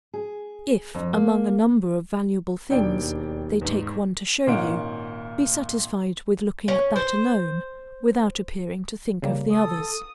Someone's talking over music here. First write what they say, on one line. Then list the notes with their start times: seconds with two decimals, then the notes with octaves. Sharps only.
If, among a number of valuable things, they take one to show you, be satisfied with looking at that alone, without appearing to think of the others.
0.14 G#4
0.95 F2
1.13 A#3
2.70 E1 D#2 D4 G5
3.61 E2 G#2
4.47 G#1 A#2 C#4 D#4 F#5 D7
6.68 C#4
6.96 C5
9.22 C#3 G3 A#3
9.51 A4 D#6